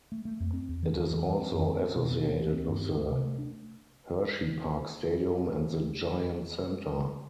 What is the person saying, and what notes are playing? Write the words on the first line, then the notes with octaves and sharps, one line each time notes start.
It is also associated with the Hersheypark Stadium and the Giant Center.
A3
A3
F2
C4
E2
E3
E2
E3
E3
C4
F2
C4
B3
B2
B3
D4
A3
C4
G2
C4
A3
C3
A3
D4